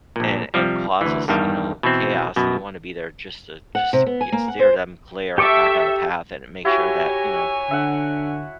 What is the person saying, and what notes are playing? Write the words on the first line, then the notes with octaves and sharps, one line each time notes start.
and and causes, you know, chaos, you wanna be there just to, just get steer them clear back on the path and make sure that, you know,
A#1 A#2
C3 F3 G3
D2 E3
E2 G2 D#3 G3
B2 E3 C4
F#2 B2
F#5
C3
B3
G#5
A#3
F#5
C5
G4 A4 E5 C#6 D6
E4 F#4 G4 C#5 G#5
D3 E5 F#5